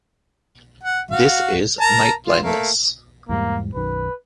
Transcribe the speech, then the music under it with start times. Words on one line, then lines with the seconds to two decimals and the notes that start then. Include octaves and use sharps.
This is night-blindness.
0.83 F#5
1.11 F#4 F5
1.81 A#4 A5 A#5
2.27 F4
2.43 A3 A#3
3.29 E2 G#2 G3 A#3
3.74 B1 F#2 D#3 B4